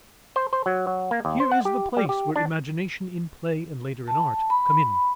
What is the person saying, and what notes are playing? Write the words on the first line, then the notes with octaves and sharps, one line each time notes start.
Here is the place where imagination in play and later in art come in.
C5
C5
F#3
F#3
A#3
D#2
C5
F#5
G4
G3
G4
D4
A5
B5